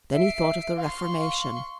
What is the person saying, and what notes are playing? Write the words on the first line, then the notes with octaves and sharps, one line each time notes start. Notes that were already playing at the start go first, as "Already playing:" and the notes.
Then he thought of the reformation.
E5 C7 D7
F5 C6 C#6